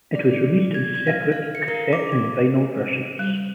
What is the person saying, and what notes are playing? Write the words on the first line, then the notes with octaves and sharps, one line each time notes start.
It was released in separate cassette and vinyl versions.
D5
G#6
G#6
F5
F5
C#7
A#4
D6
G4
G3